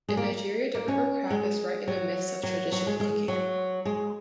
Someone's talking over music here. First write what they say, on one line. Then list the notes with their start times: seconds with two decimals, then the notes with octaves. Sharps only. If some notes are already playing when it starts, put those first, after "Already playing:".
In Nigeria, the river crab is right in the midst of traditional cooking.
0.08 G#3
0.17 A#3
0.75 A#3
0.88 C#4
1.30 G#3
1.88 F#3
2.43 F#3
2.72 F#3
2.87 G#3
3.00 G#3
3.28 F#3
3.85 G#3